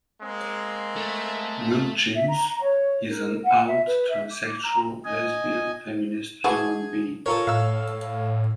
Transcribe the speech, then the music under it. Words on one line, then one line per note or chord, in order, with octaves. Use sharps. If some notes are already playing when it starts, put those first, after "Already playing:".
Wilchins is an out transsexual lesbian feminist human being.
G#3 A#3 C4
A3
E5
A#5
C#5
A#4
F#5
E5
B4
E5
D6
A#5
D#5 G#5
E3 A3 F#4 G#4
F4 A4 A#4 C#5
A2 F5 E6